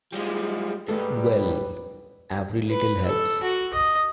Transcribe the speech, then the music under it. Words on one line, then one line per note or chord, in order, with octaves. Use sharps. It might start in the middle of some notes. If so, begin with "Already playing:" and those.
Well, every little helps.
G#2 G3 G#3 E4 F4
D#2 G#2 G3 A3 A4 B4
B4
A4
F#4
D#5